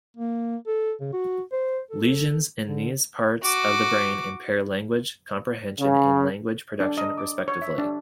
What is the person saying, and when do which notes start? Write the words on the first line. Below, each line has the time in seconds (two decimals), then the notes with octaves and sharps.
Lesions in these parts of the brain impair language comprehension and language production, respectively.
0.17 A#3
0.67 A4
1.01 C#3
1.13 F#4
1.52 C5
1.91 A4
2.67 D3
3.43 F#4 D6
5.79 C#3
6.80 D4
6.98 D#5
7.18 D6
7.48 C#5
7.62 E5
7.78 D4